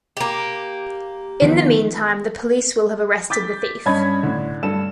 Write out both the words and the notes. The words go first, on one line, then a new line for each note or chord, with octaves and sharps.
In the meantime, the police will have arrested the thief.
A#3 G4
D#3 F3 B3
D6 G6 A6 B6
G2 C#4 D#5 A5 B5 G#6
A2 D3
G2 A4 E7